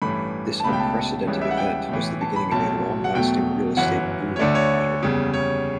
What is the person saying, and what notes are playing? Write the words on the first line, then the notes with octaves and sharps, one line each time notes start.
This unprecedented event was the beginning of a long-lasting real estate boom in Ottawa.
A1 G2 E3 A3 B5
A5
C#2 B2 A3 B5
G5
A5
C#2 C#3 E3 G3
E5
F#5
G5
B1 A2 E3
A5
B5
B1 A2 F#3 A5
F#5
E2 B2 F#3 A3 G5
G1 F#2 E3 F#5
C#5
D2 D3 A3 D5
C#5
F#1 E2 C#3 G3
C#5